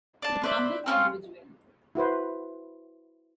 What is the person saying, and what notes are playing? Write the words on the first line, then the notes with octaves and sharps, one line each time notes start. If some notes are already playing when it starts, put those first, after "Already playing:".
He was a humble individual.
D4 A5
B4 C5 D5 E5
C4 C#4 E4 F4
E4 F#4 B4 C5